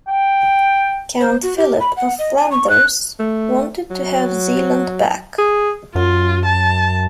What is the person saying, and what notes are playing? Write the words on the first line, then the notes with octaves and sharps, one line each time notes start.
Count Philip of Flanders wanted to have Zeeland back.
G5
C5
F#4
G4
B5
F#5
D#5
G#5
C#6
F#6
A3
F#3
G#4
F#2 F4
A5